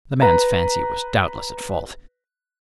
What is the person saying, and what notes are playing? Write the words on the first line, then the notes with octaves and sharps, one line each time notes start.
The man's fancy was doubtless at fault.
B4 A#5